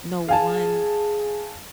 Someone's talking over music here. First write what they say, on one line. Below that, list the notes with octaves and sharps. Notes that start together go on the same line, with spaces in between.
no, one
G#4 F5 G#5 A5